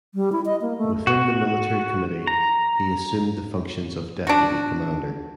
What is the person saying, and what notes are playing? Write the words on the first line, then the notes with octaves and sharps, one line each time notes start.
Within the military committee he assumed the functions of deputy commander.
G3
E4
D#5
A#3
A3
F#4
A#5
D4 F#4